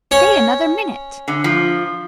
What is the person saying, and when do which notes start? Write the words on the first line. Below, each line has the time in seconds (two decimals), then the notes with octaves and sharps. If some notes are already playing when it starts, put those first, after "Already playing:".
Stay another minute!
0.11 C#4 C#5
1.28 D3
1.44 F3